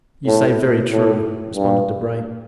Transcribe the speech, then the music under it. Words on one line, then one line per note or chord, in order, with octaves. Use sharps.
"You say very true," responded Debray.
A2
A2
G2